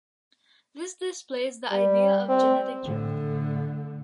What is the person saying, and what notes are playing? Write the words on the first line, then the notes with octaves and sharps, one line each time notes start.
This displays the idea of genetic drift.
G3
C4
A2 D3